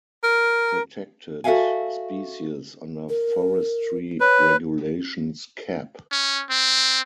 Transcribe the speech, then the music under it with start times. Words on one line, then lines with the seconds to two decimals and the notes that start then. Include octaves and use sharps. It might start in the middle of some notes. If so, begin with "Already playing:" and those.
Protected Species under Forestry Regulations Cap.
0.24 A#4
1.44 F#4 A4 B4 E5 F5 G#5
3.09 A#4
4.20 B4 C#5
6.12 C#4
6.50 C4